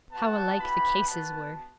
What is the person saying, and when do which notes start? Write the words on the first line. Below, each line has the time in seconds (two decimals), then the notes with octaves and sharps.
How alike the cases were!
0.10 B3 F#4 A5
0.58 B3 E4 G4 B5
1.06 B3 F#4 A5